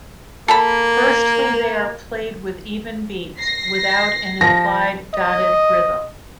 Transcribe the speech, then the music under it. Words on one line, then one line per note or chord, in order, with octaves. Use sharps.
Firstly they are played with even beats, without an implied dotted rhythm.
A#3 A4 A5 B5
A#6 C7
F3 A#6
D#5